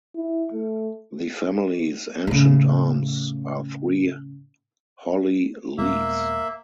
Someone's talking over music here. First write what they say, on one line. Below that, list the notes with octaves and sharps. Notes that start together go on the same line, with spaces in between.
The family's ancient arms are three holly leaves.
E4
A3
A2 C#3
D#1 G#3 A#3 B3 E5